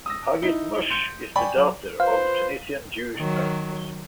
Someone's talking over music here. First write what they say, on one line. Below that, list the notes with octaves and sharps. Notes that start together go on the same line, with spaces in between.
Hagit Moshe is the daughter of Tunisian Jewish parents.
D#6 E6 A#6
D#4 E4 G7
C6 G6 C#7
D5 G5 G#5 B5 C#6
F#3 F#7
F4 B4 C5 F5
D#3 F#3